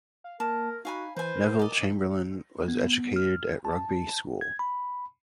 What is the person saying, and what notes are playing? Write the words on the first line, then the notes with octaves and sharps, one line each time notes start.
Neville Chamberlain was educated at Rugby School.
F5
A#3 A#4 A5
D#4 F#4 F5 G#5 B5
E3 B4 C5 G#5
A#4
D5 D#5
B3
F6
A5
G#6
B5